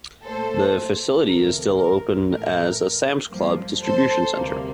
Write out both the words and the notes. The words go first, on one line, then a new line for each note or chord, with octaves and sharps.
The facility is still open as a Sam's Club Distribution Center.
A#2 A3 A4 C5
D2 C3 F3 A3 A#4
A#4
A2 E3 A3 A#4
G2 F3 A#3
A4 C5
D2 C3 G3 A#3